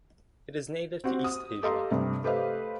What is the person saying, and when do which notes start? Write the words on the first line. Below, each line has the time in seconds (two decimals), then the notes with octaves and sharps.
It is native to East Asia.
1.04 C4 F#4 G4
1.24 D#6
1.63 G4 A4 D#5 F5 A#5 C6
1.91 G2 C3
2.24 A3 G4 B4 C5 D#5 F5